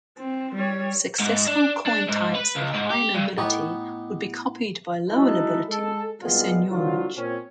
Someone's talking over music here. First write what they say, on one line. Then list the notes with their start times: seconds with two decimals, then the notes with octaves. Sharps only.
Successful coin types of high nobility would be copied by lower nobility for seigniorage.
0.19 C4
0.55 G3 C#5
1.20 G#2
1.47 D4
1.86 D4
2.08 G#2
2.35 B4
2.56 C#2
2.74 G#2
2.90 G4
3.14 G2
3.38 A2 B3 D#4 G4 C#6
5.09 F#3 G#3 D#4 E4 A4 B4
5.69 G#3 A4
6.22 F#1 G3 G#3 B3 F4
6.70 C2 D3 F#3 F4
7.17 A#2 C4 C#4